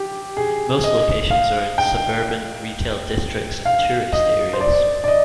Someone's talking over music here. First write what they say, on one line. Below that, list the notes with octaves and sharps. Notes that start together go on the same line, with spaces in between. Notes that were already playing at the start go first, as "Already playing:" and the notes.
Most locations are in suburban retail districts and tourist areas.
Already playing: G4
G#4
D#5
F5
G5
F5
D#5
C5
D5
D5
D#5